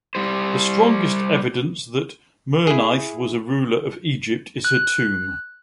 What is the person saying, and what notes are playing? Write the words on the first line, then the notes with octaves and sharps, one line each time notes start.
The strongest evidence that Merneith was a ruler of Egypt is her tomb.
G3 C5
E4 G#4
F#6